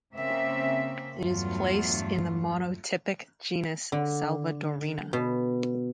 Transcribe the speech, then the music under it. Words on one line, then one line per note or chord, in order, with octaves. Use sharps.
It is placed in the monotypic genus "Salvadorina".
C#3 A#3 C4 E5
E2 G2 F#3 A3 F4
D3
B2